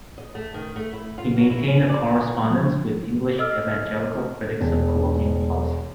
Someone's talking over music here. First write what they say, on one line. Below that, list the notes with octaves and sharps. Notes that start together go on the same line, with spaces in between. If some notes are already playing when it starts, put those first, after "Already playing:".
He maintained a correspondence with English evangelical critics of colonial policy.
D#5
A3
D#3
A3
E4
F4
F#3
E4
C#4
D5
E3 F3 G#3 A3
A4 D#5 E6 F6
E1